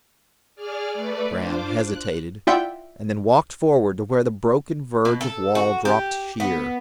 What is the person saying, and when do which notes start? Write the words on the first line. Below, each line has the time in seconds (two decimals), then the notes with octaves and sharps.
Graham hesitated, and then walked forward to where the broken verge of wall dropped sheer.
0.55 G#4 D5 F6
0.93 A3 B4 D5
1.34 D4 F4 C5 D6
1.83 F#6
2.47 E4 F4 D5 E5 F#5 G5
5.05 B2
5.21 A4
5.55 F#4
5.85 G4
6.40 B3